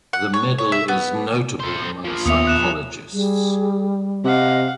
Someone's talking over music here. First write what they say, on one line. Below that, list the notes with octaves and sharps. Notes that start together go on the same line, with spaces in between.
The medal is notable among psychologists.
F#5
C#5
C#5
E5
B3
A4 C5
F3 A#3
D#2 B3 E5 D#6 C#7 F7
F#6 E7
G3 G#4
C3 D#5 F5 F#5